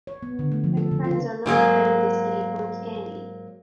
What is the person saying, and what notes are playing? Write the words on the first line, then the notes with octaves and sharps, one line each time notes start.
My friends are not playing this game for candy.
C#5
B3
D3
A3
F3
A4
C#3
F4
G#2 F#3 A#3 G#4